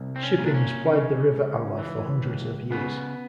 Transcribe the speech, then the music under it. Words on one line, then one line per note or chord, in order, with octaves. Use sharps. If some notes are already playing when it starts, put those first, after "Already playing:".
Shipping has plied the river Aller for hundreds of years.
Already playing: C2
C4
C#4
A#2
D4
C#4
C#3
C#2
E3
C#2
C#3 B3